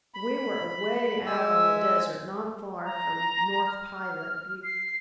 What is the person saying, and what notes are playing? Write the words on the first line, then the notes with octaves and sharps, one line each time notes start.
We were away out on the desert not far from North Pilot butte.
B5
G#3 E5 G#5 E6
A#5
F6
C7